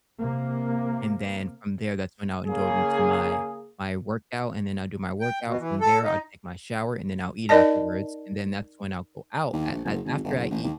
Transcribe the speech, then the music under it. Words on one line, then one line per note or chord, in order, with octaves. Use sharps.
and then from there, that's when I'll indulge into my my workout, and then I'll do my workout, from there, I'll take my shower, and then I'll eat afterwards, and then that's when I'll go out, a a after I eat
C3 A#3
C#3 A#3 G#4
G5
B2
E3
A4
D#4
D#4 A#4 D5 D#5 A5
D#2
A#1
F#1
G#1
G1
F#1
A1
D#2